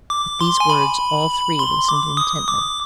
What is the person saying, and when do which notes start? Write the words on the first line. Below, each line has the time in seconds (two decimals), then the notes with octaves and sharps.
At these words all three listened intently.
0.10 D6
0.41 C6
0.60 G#5
0.70 B5
1.59 C6
1.89 D6
2.17 D#6
2.48 D6